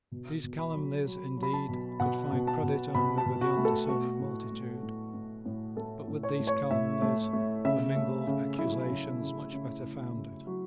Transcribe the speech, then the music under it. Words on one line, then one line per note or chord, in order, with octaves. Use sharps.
These calumnies, indeed, could find credit only with the undiscerning multitude; but with these calumnies were mingled accusations much better founded.
B2
B2
B5
F#3
F#3
F#3
B5
A5
B2
B2 F#5
B2
A5
B2
B2 B5
A5
B2
F#4
A3
A4
A3 F#4
A2
A3
A2
A2
A2
A3 A4
A2
C#5
A2
C#5
A2 E5
A3
A3
C#3 E5
A3
C#3
F#3 E4
C#3
C#3
C#3
C#3
C#3
F#3 F#4